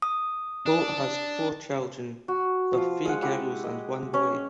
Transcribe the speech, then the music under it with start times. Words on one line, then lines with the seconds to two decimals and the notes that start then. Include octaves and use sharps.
Boat has four children, with three girls and one boy.
0.02 D#6
0.66 D4
2.28 F#4
2.74 F3 F4
3.05 G#3 F4 F#5
3.22 G#3 E4 G4 F#5
3.64 D#5
4.14 C#4